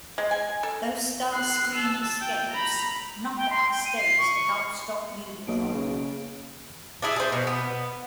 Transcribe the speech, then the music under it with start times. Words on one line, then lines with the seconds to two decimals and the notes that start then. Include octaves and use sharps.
Though Starscream escapes, Knock Out stays to help stop Unicron.
0.18 G#3
0.31 G#5
0.63 A4
1.33 F#6 C7
1.75 A5 E6
2.21 G5
2.52 A#5 B5
3.37 G5
3.50 C6
3.69 G5
3.85 D#7
3.97 C7
4.18 C#6
5.47 B1 A#3 D7
5.74 C#3
7.02 D4 E4 G#4
7.16 G#4 C5
7.32 B2
7.47 B3